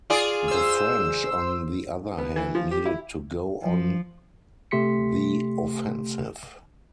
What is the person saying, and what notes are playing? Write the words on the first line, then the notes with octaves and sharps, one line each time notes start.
The French on the other hand needed to go on the offensive.
F4 G#4 D5
C5 E6
B3
E3
F3
G4
E4
F3
C3 A3 G4 C6 B6 C#7